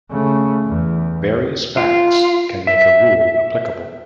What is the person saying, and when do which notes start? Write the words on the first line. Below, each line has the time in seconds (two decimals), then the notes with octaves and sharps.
Various facts can make a rule applicable.
0.11 C#3 A3
0.66 E2
1.77 F4
2.67 E5